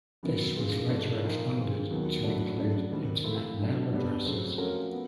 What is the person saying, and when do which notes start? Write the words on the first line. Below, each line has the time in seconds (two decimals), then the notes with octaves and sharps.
This was later expanded to include Internet mail addresses.
0.23 F#2 D#3 F#3 B3
0.56 F2 D3 F3 G#3 C4
0.90 G#2 F3 A3 D4
1.24 A#2 F3 A#3 D#4
1.57 D#3 G#3 C4 F4
1.90 D#2 D#3 F#3 B3
2.23 A2 F#3 A3 D4
2.57 C#3 F#3 A3 D4
2.91 D#2 D#3 G3 C4
3.24 A2 F3 A3 C4 E4
3.58 D3 F#3 A3 D4
3.92 B2 G3 B3 D4 G4
4.25 F2 C#3 F#3 A3 C4
4.58 F3 A3 C#4 F#4 A#4
4.92 B3